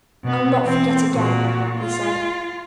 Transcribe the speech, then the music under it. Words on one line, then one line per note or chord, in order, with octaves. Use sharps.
"I'll not forget again," he said.
B2 B3
E3 C4
A#2 F#4
F4